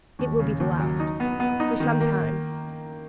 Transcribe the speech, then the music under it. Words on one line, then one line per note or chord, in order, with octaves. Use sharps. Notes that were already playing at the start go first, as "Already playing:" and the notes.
"It will be the last--for some time."
D#2
C#3
D#2
F#3
D#4
B3
B3
D#4
D#3
A#3